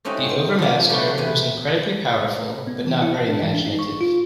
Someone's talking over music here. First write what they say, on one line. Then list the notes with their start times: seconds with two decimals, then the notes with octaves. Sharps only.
The Overmaster was incredibly powerful but not very imaginative.
0.05 A3 C4 C#4 D#4 F#4 G4
0.29 C5
0.59 F3 A#3
0.89 A3 D4 F#4 G4 B4 C#5
1.17 E2 C3 B4 G#5
2.67 B3
2.86 E3
3.02 E4
3.14 A5
3.28 D4
3.42 E3
3.54 D4
3.67 D#4
3.79 C#6
4.01 F4